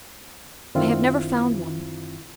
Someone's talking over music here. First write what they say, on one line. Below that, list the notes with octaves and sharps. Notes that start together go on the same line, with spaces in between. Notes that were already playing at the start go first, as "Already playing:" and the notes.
I have never found one.
F#2 D3 D#3 C4 E4 F4